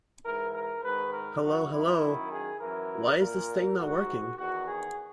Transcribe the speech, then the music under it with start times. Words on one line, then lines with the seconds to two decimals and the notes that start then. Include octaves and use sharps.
Hello hello. Why is this thing not working?
0.24 G#2 E3 A#4
0.54 A#4
0.83 G#2 D#3 B4
1.13 A#4
1.42 F#2 E3 F#4
1.72 E4
2.02 F#2 D#3
2.31 G#4
2.60 F#2 E3 A#4
3.19 A#2 A#4
3.79 G#2 D#3 F#4
4.38 E2 D#3 F#4
4.67 G#4